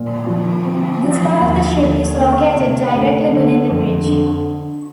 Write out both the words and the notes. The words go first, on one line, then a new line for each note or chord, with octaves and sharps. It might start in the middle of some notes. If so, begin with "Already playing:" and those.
This part of the ship is located directly beneath the bridge.
Already playing: A#2
F3
C4
F3
D#2
D3
A#3
C3
D2
D3
F2
D3